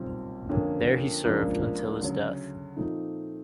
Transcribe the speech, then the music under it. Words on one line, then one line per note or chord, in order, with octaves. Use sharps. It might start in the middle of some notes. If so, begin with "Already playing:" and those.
There he served until his death.
Already playing: B1 A#2 G3 C4
F2 D3 F3 A#3 C#4
C#2 C#3 F3 A#3 D4
D2 C#3 F#3
A#2 F3 A3 C4 D#4